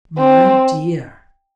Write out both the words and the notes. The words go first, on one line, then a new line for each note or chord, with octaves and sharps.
"My dear!"
C4